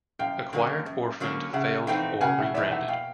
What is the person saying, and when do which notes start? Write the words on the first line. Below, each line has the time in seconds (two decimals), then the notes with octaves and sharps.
Acquired, orphaned, failed or rebranded.
0.19 F#2 F5 G5
0.53 D3 F#3 A#3 C#4
0.86 F#2
1.20 D3 F#3 A#3 C#4
1.53 C#3 E5 F#5
1.87 E3 A3 C4 D#4 F5 G5
2.21 C#3 F#5 G#5
2.39 E5 F#5
2.54 E3 A3 C4 D#4 D5 E5
2.71 E5 F#5
2.88 B2 F5 G5